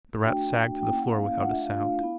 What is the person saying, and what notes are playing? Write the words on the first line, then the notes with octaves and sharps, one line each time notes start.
The Rat sagged to the floor without a sound.
A3 D4 F#4 G5
A#3 C#4 E4 G5
F#5
F5
A3 D4 F4 F#5
E5
F5
B3 E4